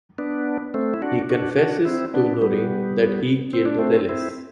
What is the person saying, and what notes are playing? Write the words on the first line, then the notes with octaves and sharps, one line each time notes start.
He confesses to Noreen that he killed Reles.
B3 D4
A3 C4
E4
D4 F#4
D4 F#4
D4 F#4
C4 E4
B3 D4
G3 B3
C4
D4
A3 C4
C4 E4